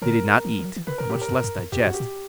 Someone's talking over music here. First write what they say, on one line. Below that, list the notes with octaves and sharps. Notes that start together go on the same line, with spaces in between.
They did not eat, much less digest.
D3 A#4
E3
E3
F#3
E3
C#3 B4
B2 A#4
G4
A#2
A#4
F#2
G2
F#2
E2 G4
F#2 F#4
G4
A#2